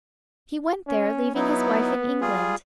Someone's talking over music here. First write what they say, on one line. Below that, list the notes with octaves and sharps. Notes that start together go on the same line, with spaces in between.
He went there, leaving his wife in England.
C#4
F#3 B3 D#4 E4
G3 F4 G#4